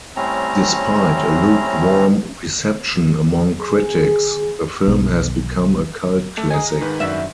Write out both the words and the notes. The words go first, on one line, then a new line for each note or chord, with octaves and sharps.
Despite a lukewarm reception among critics, the film has become a cult classic.
A2 G3 A3 C4 C#4 A#5
G#4
B1
D3 A3
G#4 D#5 G#5 A#5
G#2 D#3 B4
F#2 E5